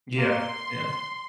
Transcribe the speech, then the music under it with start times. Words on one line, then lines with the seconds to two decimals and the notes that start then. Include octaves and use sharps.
Yeah, yeah.
0.17 A#3 C6